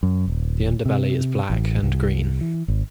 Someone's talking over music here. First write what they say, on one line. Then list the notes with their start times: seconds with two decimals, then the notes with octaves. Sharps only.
The underbelly is black and green.
0.03 F#2
0.27 D#1
0.86 C3
1.50 A1
1.83 C2
2.41 E3
2.68 G#1